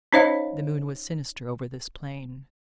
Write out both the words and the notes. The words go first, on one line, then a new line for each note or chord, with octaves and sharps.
The moon was sinister over this plain.
C#4 D#4 C5 C#5 D#5 F5